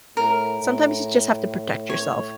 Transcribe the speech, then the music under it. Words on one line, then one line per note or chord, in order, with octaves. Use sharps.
"Sometimes you just have to protect yourself."
A2 A#4
A2
C#5